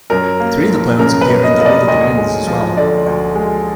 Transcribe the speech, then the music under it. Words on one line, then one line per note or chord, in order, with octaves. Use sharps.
Three of the poems appear in "The Lord of the Rings" as well.
F#2 A#4
A#3
F3
C#3 A#4
B4
F#2
D#5
A#3 D#5
D5
D2 D#5
G#3
F3
D3 D5
D2
G#3